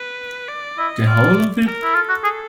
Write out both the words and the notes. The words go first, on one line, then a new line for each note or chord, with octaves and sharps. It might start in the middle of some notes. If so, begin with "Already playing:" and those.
The whole of it?.
Already playing: B4
D5
E4 D#5
F4 D5
A#4
E4
F4 A4
F#4
G#4